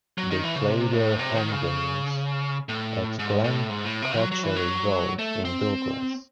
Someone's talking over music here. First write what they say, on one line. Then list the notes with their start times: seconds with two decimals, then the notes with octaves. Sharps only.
They play their home games at Glencrutchery Road in Douglas.
0.18 F#3
0.31 D#3
0.44 E3
0.55 C#3
0.68 C3
0.93 A2
1.19 C3
1.35 D#3
1.52 C#3
2.69 A2
3.19 G#2
3.44 A2
3.70 G#2
3.85 A2
4.02 C3
4.18 F#3
4.32 F#3
4.44 E3
4.56 F#3
5.19 A3
5.45 C4